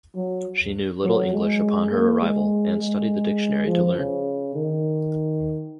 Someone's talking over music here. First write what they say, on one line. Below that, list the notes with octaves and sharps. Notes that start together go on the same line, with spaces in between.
She knew little English upon her arrival and studied the dictionary to learn.
F#3
F#3
G#3
A#3
G#3
G#3
F3
C#3
D#3